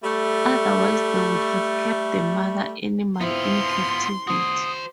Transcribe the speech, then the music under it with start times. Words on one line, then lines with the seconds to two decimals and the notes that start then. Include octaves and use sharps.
Otherwise they would have kept the mother animal in captivity.
0.04 G3 A3
3.21 B3 C4 E4 F4 C6
4.27 F#4 C5 D#6